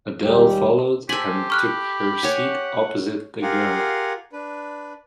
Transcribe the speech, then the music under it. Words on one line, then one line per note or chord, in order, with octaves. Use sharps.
Adele followed and took her seat opposite the girl.
D#2 G3 G#3 G4
G4 A4 C5 G#5 B6 F#7
B5 C#6 F6 F#6
C#5 F#5 G#5
F4 G4 G#4 A#4 F5 F#5
D4 B4